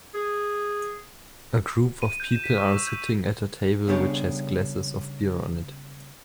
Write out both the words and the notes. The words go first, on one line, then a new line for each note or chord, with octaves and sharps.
A group of people are sitting at a table which has glasses of beer on it.
G#4
D#7
G6
E7
B6
C#6
E6
G6
C#3 G3 B3 D4 G#4 C#5